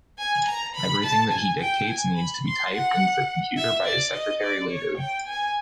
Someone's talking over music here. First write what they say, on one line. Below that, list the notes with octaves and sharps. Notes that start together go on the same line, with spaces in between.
Everything that he dictates needs to be typed in the computer by his secretary later.
G#5
A#5
B5
A5
G#5
G5
G#5
B5
C6
F#5
E5
D5
D#5
D5
C#5
G5
G#5